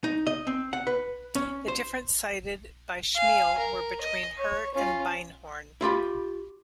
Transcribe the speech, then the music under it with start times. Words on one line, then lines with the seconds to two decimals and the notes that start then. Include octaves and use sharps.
The differences cited by Schemel were between her and Beinhorn.
0.04 D#4
0.27 D#5
0.47 C4
0.73 F#5
0.87 B4
1.35 C#4
1.68 C5
3.16 F5 G#5
3.58 A#4
4.01 D#5
4.38 C#5
4.74 C#4 F4
5.81 E4 F4 G4 B5